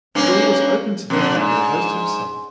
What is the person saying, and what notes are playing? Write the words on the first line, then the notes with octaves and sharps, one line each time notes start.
The door was opened to them by their host himself.
G2 A#3 C#4
F2 D3
G#2